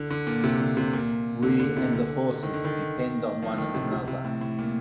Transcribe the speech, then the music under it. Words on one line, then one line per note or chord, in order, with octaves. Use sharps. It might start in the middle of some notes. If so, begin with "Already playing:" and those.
We and the horses depend on one another.
Already playing: D3
D3
A#2
C3
D3
C3
A#2
D3
D3
C3
D3
D#3
D3
D#3
F3
D3
D#3
C3
C3
C3
A2
A2
A#2